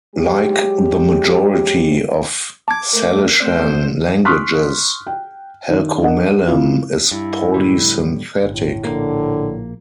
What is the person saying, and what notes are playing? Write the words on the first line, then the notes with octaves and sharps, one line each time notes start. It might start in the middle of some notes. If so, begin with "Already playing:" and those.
Like the majority of Salishan languages, Halkomelem is polysynthetic.
F#3 G#3 G4
A5 D6 G#6
A3 A#4
A3 C4 C5 D5
C6 C#6 D#6 F6 F#6 B6
G5
D#3
D4 A#4 D#5 F#5
C3 E4 F4
G2 E4
A2 D3 G3
G1 A2
A#1 D3 A#3